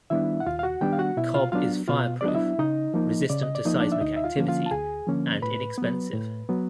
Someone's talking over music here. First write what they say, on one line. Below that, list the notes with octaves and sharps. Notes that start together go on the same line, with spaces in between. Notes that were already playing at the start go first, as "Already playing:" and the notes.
Cob is fireproof, resistant to seismic activity, and inexpensive.
D#3 G3 B3 D4 E4 E5
F#5
D#2 F4 F5
F5
F#4 F#5
D#3 G3 B3 D4 G4 G5
F5
F#4 F#5
B2 E4 E5
F4 F5
F#3 B3 D4 F4 F5
B2 F4 F5
D5
F#3 B3 D4 D#5
E4 E5
C#3 D#4 D#5
F3 A#3 D#4
C#3 D5
D#5
D5
F3 A#3 D#4 D#5
D4 D5
E5
D2 D#4 D#5
E5
F4 F5
D3 F3 A#3 C#4
F4 F5
A5
D2 G#4 G#5
D3 F3 A#3 C#4
A2 B4 B5
F#3 B3
A2
F#3 B3